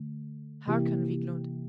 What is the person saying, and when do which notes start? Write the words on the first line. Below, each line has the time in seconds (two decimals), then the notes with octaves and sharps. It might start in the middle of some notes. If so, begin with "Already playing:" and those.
Hearken, Viglund!
Already playing: D3 A3
0.67 C3 E3 A#3 E4 G4